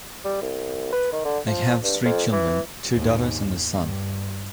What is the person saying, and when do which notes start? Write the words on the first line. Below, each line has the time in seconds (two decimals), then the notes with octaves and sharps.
They have three children: two daughters and a son.
0.25 G3
0.42 C2
0.93 B4
1.12 D#3
1.25 D3
1.47 F3
1.83 G2
2.05 F2
2.32 E3
2.94 D#2 G#2
3.74 G2